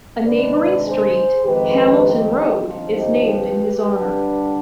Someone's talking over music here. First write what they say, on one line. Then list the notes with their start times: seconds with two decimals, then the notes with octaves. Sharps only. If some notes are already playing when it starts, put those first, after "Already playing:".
A neighbouring street, Hamilton Road, is named in his honour.
0.24 C3 D#3 G#3 D4 B4 D5
0.85 G#4 C5
1.45 F2 D#3 G#3 G4 B4
2.05 D#4 G4
2.65 D#2 D3 F3 C4 D#4 F4
2.94 D#4 G4
3.25 G4 B4
3.85 D3 G3 D4